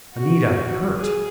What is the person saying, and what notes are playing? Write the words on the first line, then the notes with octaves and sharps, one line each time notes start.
Anita hurt!
F#4
G#4